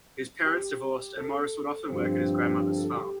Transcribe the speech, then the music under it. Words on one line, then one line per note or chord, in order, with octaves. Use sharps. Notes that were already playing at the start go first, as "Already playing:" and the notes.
His parents divorced, and Morris would often work at his grandmother's farm.
G4
A4
G2 D3 F3 C4 G4
A4
G4